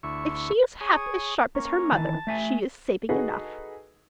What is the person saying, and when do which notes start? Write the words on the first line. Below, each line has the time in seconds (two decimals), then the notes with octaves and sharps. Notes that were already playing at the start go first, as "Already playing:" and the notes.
If she is half as sharp as her mother, she is saving enough.
0.03 D2 E4 C#6
0.81 G#4 C#5 D#6
1.55 A#3 C#4
1.92 D#3 E3 A5
2.27 A3 E5 G#5
3.09 D#4 F#4 G#4 A4 B4 D#5